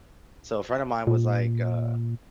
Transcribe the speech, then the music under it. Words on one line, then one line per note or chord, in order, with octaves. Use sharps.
so, a friend of mine was, like, uh
A#2